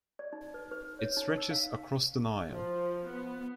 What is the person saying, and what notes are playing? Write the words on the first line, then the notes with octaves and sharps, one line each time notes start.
It stretches across the Nile.
D5
D#4
B4
B4
C#5
D#4
E6
F5
F3
B3